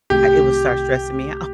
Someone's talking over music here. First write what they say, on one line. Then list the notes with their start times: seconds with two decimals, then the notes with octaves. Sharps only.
I it will start stressing me out.
0.10 C2 C3 D#3 A3 G4